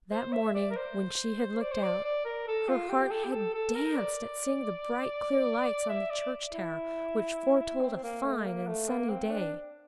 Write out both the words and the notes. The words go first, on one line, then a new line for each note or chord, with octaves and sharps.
That morning when she had looked out, her heart had danced at seeing the bright clear lights on the church tower, which foretold a fine and sunny day.
C5
E5
D5
A#4
C5
D5
C5
D5
D5
A#4
A4
F4
G4
A4
G4
A4
A4
A#4
D5
E5
D5
E4
E4
C4
C4
A#3
A3
A#3
A3
A#3
C4
D4